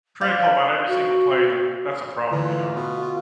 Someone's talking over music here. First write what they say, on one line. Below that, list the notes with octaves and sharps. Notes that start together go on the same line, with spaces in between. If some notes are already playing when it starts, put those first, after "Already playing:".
critical about every single play, then that's a problem, you know?
F4 C5
F#4
D3 E3 A3 F4
B2
F4